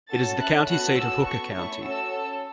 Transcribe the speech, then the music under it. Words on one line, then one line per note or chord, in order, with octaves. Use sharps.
It is the county seat of Hooker County.
C#4 F#4 A4 A6
A3 C#4 E4 A4 F#6
B3 F#4 A4 F#6
C#4 F#4 A4 E6
B3 F#4 A4 C#6
A3 C#4 E4 C#6
C#4 F#4 A4 E6
C#4 A4